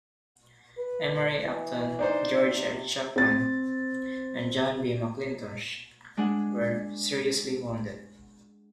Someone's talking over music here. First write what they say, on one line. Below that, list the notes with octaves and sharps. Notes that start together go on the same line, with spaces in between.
Emory Upton, George H. Chapman, and John B. McIntosh were seriously wounded.
B4
E3
D4 D#4 C5
C3
C4 A6
G#3 D4 G#4 F#5